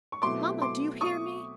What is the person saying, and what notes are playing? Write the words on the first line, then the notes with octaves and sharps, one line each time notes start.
Mamma! do you hear me?
C#6
B2 F#3 A3 C4 E4 C6 D6
C6 D6
C#6 D#6